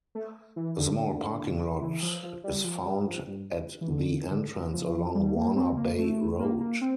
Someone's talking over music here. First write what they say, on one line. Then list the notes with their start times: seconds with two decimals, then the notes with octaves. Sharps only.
A small parking lot is found at the entrance along Warner Bay Road.
0.15 A3
0.56 E3
0.78 D3
1.81 E3
2.02 F3
2.23 F3
2.44 G3
2.64 F3
2.85 G3
3.07 F3
3.27 G2
3.81 E3
3.90 D3
4.31 D3
4.73 F3
5.15 G3
5.36 A#3
5.56 C4
5.77 A#3
5.98 A3
6.39 A#3
6.60 A#3
6.81 C4